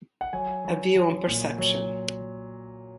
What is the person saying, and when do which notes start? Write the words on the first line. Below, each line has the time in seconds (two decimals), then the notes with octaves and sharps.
A view on perception.
0.21 F#5
0.33 F#3 G#5
0.65 F#3
0.95 F#3
1.27 A#2
1.58 F#3